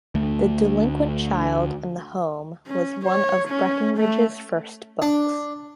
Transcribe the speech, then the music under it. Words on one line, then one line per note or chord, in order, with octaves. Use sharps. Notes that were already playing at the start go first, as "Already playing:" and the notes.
"The Delinquent Child and the Home" was one of Breckinridge's first books.
D2 A3
C#4
C#5
C#4
A3
D4